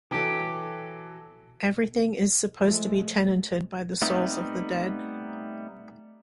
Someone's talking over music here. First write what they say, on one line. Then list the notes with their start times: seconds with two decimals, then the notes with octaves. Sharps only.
Everything is supposed to be tenanted by the souls of the dead.
0.11 E3 F#3 G4 A4
2.60 F3 G#3 A3
4.02 G3 A3 B3 C4 D#4